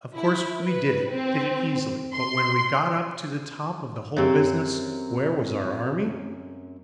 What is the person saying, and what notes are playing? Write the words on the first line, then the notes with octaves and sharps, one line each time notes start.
Of course we did it--did it easy; but when we got up to the top of the whole business, where was our army?
E4
B4
C4
C6
F#2 C4 G4 G#4 C#5